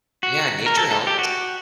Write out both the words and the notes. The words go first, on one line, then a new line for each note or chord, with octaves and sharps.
Yeah, nature helps.
F#4
A#4
A4
A4
G4
F#4